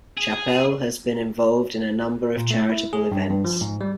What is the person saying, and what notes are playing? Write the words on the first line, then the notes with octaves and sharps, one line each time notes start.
Chappelle has been involved in a number of charitable events.
G#4
A#2
A3
E4
G#4
G2
G2
F3
G#2
G3